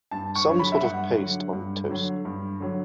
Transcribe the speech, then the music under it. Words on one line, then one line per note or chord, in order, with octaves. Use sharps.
Some sort of paste on toast.
G2 A5
C#6
D3 F#3
B5
E5
G2 F#5
D3 F#3
G2
D3 F#3
G2
D3 F#3